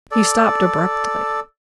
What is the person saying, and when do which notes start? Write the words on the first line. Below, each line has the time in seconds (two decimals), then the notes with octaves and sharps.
He stopped abruptly.
0.11 A4 D5